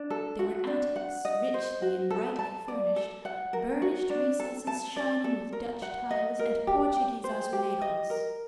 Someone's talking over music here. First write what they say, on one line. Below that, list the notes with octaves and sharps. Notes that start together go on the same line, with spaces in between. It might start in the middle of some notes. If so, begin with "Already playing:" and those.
There were attics, richly and brightly furnished; burnished recesses shining with Dutch tiles and Portuguese azulejos.
Already playing: D4
A4
F#4
D4
F#5
D#5
C5
F#4
A4
A5
D5
A4
F#5
A#4
F#4
D4
A4
A5
D5
A4
A#4
F#5
D#5
A#4
G4
G5
C5
G4
D#5
A#4